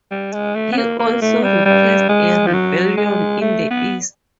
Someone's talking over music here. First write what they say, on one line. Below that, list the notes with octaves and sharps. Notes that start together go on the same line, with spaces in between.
He also repressed a rebellion in the east.
G3
G#3
A3
B3
A#3
A#3
A3
G3
G3
G#3
F3
F#3
G#3
A3
B3